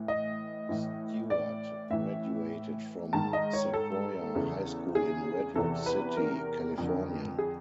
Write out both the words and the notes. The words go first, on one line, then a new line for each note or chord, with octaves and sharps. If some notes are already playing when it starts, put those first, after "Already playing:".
Stuart graduated from Sequoia High School in Redwood City, California.
Already playing: A2 E3
D#5
A2 E3
D5
A2 E3 E5
G#2 D#3 A5
D#5
C#5
A4
E2 C#3 E3
G#4
E2 C3 E3 A4
B4
A#4
F2 D3
G#4